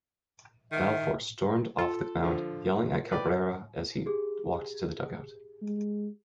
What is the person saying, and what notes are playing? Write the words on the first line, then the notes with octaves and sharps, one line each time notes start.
Balfour stormed off the mound, yelling at Cabrera as he walked to the dugout.
D#3 E5
F4 A4
D3 F3
B4 D5 G5
G4 G#4
G#3